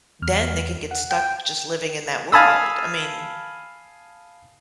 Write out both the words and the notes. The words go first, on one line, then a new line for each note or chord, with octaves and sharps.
then they can get stuck just living in that world I mean
E2 F6
F#5
G5
F5 G#5 A5 B5 D#6 E6